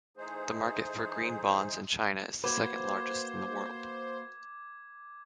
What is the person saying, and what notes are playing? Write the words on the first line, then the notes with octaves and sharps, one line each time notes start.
The market for green bonds in China is the second largest in the world.
E3 A3 D#4 G#4 C5
A#3 F#4 B4 C5 D6 G#6